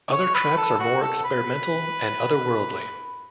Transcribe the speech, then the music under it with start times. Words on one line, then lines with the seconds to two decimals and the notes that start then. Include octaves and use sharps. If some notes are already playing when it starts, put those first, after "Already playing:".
Other tracks are more experimental and otherworldly.
0.12 C#5
0.34 B4
0.57 A4
0.80 F#4
1.02 A4
1.24 B4